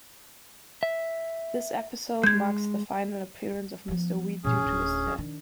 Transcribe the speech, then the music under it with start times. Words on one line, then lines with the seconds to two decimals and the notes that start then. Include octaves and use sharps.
This episode marks the final appearance of Mr. Weed due to his death.
0.83 E5
2.24 G#3 G6 G#6
3.88 F3 B3
4.44 A#2 E3 C#4 G#4
4.62 D1
5.18 D#3 D4